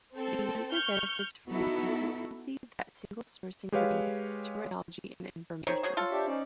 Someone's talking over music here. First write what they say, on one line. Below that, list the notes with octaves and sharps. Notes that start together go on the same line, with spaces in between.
The user benefits from the consistency that single-sourcing brings to terminology and information.
C4 A4
C#6 F6 G6
B3 D#4 E4 F#4 A4
G#3 G4 B4 C#5 F5
D#3 C5 C#5 G#5
F#3 G#4
F4 A4
D4 G4 E5
C#4 D#4 D5